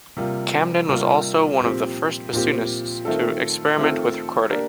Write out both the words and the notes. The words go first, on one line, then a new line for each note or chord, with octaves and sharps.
Camden was also one of the first bassonists to experiment with recording.
C3 G3 A#3 F4
C3 G3 A#3 F4
A#2 F3 C4 G4
A#2 F3 C4 G4
D#3 A3 C4 F4 A4
D#3 A3 C4 F4 A4
A#3 D4 G4 A#4 D5